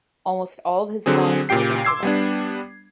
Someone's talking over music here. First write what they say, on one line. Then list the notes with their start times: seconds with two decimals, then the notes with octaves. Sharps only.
Almost all of his lines were improvised.
1.06 D3 F#3 C4 G#4
1.49 A#2 C#3 G4 G5 C7
1.85 C6 D6 E6 G#6 C7
2.03 G3 B3 D4